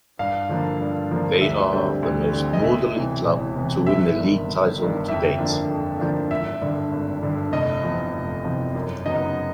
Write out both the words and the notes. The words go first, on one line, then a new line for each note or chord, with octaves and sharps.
They are the most northernly club to win the League title to date.
G2 F5
D3 F3 A#3 D4
G2
D3 F3 A#3 D4
D2 E5
D3 G3 C4
D2
D3 G3 C4
D#5
E1 E5
E2 C3 E3
E1
E2 C3 E3
G1 E5
G2 D#3
G1
G2 D#3
F2 E5
D3 F3 A#3 D4
F2
D3 F3 A#3 D4
G#1 E5
G2 D3
G#1
G2 D3
F1 D#5
E2 C3 F3
F1
E2 C3 F3
F#2
C#3 F#3 B3 D#4 D#5